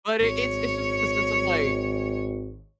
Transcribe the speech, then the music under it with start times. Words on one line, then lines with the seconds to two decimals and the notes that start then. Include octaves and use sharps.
But it it's it's just in the sense of, like,
0.21 G#1 C#5